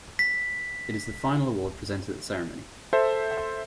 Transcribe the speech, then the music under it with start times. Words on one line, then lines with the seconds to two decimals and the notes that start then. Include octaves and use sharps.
It is the final award presented at the ceremony.
0.19 B6
2.93 A4 C5 E5